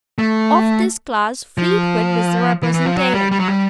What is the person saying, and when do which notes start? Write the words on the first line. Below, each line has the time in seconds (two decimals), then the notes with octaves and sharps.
Of this class Fleetwood was the representative.
0.18 A3
1.58 F3
2.63 E3
2.74 E3
2.86 F3
2.97 F#3
3.14 G3
3.31 G3
3.40 F#3
3.48 G3